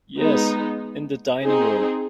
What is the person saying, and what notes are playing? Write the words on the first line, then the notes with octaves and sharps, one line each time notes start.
Yes, in the dining-room.
G#3 B3 D#4
C4 D#4 G#4